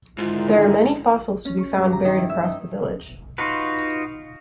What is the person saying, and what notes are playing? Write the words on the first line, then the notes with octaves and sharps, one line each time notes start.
There are many fossils to be found buried across the village.
G#2 D3 D#3 G#3 E4 F4
C#4
C#6
G2
A#5
D#3
E4
E5
D#4
D#4 F4 F#4 B4